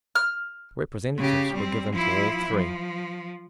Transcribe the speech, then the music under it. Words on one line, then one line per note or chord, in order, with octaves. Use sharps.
Representatives were given to all three.
F6
C#3 G4
G3 C4
F3 E4
F3